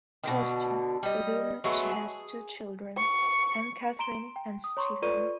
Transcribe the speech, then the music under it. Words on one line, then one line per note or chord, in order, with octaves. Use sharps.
Foster, with whom she has two children, Anne-Catherine and Stephen.
B2 D3 D#3
G3 D#5
F#3 G#3 A3 B3
G#4
C#6
A#5 C6 D7 E7 G7
G5
D#6
C#5 A#5 C6 C#6
F4 A4 B4 D5 C#6 D#7